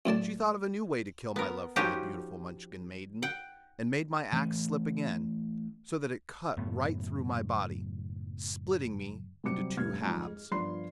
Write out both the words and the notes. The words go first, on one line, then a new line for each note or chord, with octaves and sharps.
She thought of a new way to kill my love for the beautiful Munchkin maiden, and made my axe slip again, so that it cut right through my body, splitting me into two halves.
F#2 A2 D5 A5
B3 A#4
F3 C#4 D#4 F#4 G4 A#4
F#5 G5
E3 A3 B3 C#4
F#1 F#2 A2 B3
C3 F#3 G3 C4 D6 C#7
F1 G2 F6 G#6
F2 G#2
G#3
G1 F3 D5 B5 C6 C7